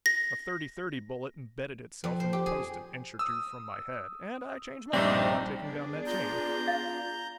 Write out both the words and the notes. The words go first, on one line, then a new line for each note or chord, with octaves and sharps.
A thirty-thirty bullet embedded itself in the post an inch or two from my head, and I changed my mind about taking down that chain.
A#6
F2
C5
G4
G#4
D#6 E6
A#1 G2 G3 A#3 C4 D4 D#4 E5
B3 D4 G#4
F4 A#5 G6
F5 A6